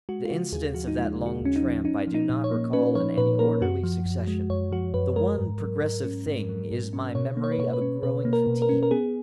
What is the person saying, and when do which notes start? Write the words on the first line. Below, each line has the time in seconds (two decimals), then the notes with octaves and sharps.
The incidents of that long tramp I do not recall in any orderly succession, the one progressive thing is my memory of a growing fatigue.
0.09 G#3 F#4
0.25 F4
0.30 C#3 F#4
0.52 D#2 G#4
0.74 F3 F#4
0.87 D#4
0.97 G#3 F4
1.18 C#3
1.26 F#4
1.41 D#2 C#4
1.56 D#4
1.63 F3
1.85 C#4 D#4
2.07 F3
2.14 D#4
2.29 A#2
2.44 C#5
2.51 A#3
2.73 C#4 B4
2.95 F3 C#5
3.18 A#2 B4
3.39 A#3 A#4
3.61 F#2 F#4
3.83 F3
4.06 F#2
4.27 G#3
4.50 F#2 C#5
4.72 F3 F#4
4.94 F#2 B4
5.16 G#3 A#4
5.38 G#2
5.60 F#3
5.83 G#2
6.04 C#4
6.26 G#2
6.49 F#3
6.71 G#2
6.93 C#4
7.15 B2 C#5
7.37 A#3
7.44 C#5
7.52 B4
7.58 B2 C#5
7.73 B4
7.82 C#4
8.03 B2 B4
8.25 A#3
8.33 A#4
8.47 B2
8.62 A#4
8.69 C#4
8.83 A#4
8.91 B3 G#4